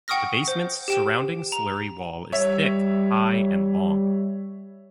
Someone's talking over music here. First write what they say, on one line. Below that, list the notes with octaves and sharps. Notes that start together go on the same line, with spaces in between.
The basement's surrounding slurry wall is thick, high and long.
F#5 G5 C#6 D#6 F6 A#6
C5
G4 G5 E7
A#5
G3 C#5 E5